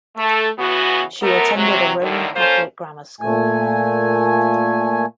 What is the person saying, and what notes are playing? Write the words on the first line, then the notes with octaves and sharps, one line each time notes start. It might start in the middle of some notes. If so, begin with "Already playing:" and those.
She attended a Roman Catholic grammar school.
A3 A4
C#3 E3 B3 F#4
F#3 A3 B3 A#4
C3 F#3
F2 A2 D3 D#3
A#3 C#4 F4 A4 C5
A#2 A3 G#5